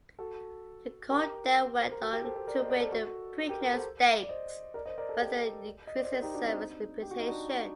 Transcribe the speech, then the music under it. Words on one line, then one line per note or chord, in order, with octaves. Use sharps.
The colt then went on to win the Preakness Stakes further increasing Servis' reputation.
F#4 A4
G4 A#4
C5
A#4
F#4 A4
G4 A#4
A4 C5
A4 C5
A#4 D5
C5 D#5
A#4 D5
A4 C5
F#4 A4
G4 A#4
G4 A#4
A4 C5
D5
C5 D#5
A#4 D5
C5 D#5
A#4 D5
A4 C5
G4 A#4
D#5
D5
C5
G4 A#4
D#4 G4
D4 F#4
C4 D#4
G4
F#4
D#4
D4 F#4